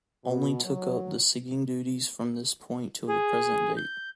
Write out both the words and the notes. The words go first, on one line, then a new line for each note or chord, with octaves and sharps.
Only took up the singing duties from this point till the present date.
B2
F#3
G#4
G6